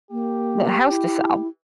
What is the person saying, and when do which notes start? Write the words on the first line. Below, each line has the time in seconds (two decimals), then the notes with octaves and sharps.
the house to sell,
0.11 A#3 G4
0.89 E4